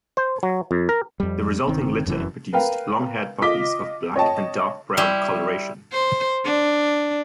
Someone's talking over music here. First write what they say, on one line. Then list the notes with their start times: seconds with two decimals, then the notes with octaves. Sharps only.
The resulting litter produced longhaired puppies of black and dark brown coloration.
0.17 C5
0.43 F#3
0.71 F2
0.89 A#4
1.20 F2 G3
1.68 G1 D#3 C4
2.06 F1 F#2 B2 E3
2.53 A#4 B4 F5 G5
3.42 F4 D#5 D6 B6 G7
4.16 C#5 D#5 G5 A5
4.97 G3 E4 C6
5.92 C5
6.45 D4